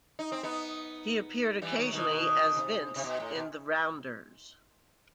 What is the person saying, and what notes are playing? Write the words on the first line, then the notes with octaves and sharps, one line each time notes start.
He appeared occasionally as "Vince" in "The Rounders".
D#4
C4
B3 D#4
E3 G3
D#3 F#3
B2 D#3
B2 D#3
C3
C3
B2
A2
B2